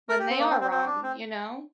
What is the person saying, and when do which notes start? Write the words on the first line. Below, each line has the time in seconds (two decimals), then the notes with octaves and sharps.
when they are wrong, you know?
0.09 A#4
0.19 G4
0.30 C4
0.40 A#3
0.50 C4
0.61 C4
0.71 C4
0.86 D4
1.03 C4